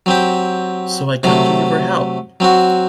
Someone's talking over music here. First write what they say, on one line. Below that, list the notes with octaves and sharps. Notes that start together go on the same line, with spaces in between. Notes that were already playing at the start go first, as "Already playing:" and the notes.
So I come to you for help.
F#3 C4 G4
C3 F#3 A3
F#3 C4 F#4